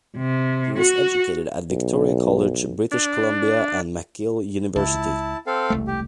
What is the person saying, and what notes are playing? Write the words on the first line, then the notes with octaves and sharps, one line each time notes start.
He was educated at Victoria College, British Columbia and McGill University.
C3
F#4
B1
D4
C#2 E4 A5
C4 A4 F5
E1 C2 A3
G4